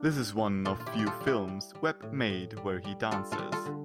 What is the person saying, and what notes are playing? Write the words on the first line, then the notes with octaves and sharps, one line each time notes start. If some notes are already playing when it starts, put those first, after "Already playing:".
This is one of few films Webb made where he dances.
Already playing: A#3 D4
G3
A#2
A#2 F4 A4
F4
E4 G4
G3
G4
F4 A4
G3
E4 G4
G3
G3
A2
A2
G3
G3
G3 F4 A4
F4 A4
G3
F4 A4
D3